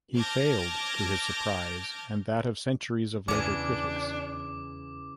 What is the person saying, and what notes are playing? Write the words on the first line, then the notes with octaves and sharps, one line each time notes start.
He failed, to his surprise and that of centuries of later critics.
A5 D6 F6 G6 G#6 A#6
E2 C#3 E3 D4 G#4 D6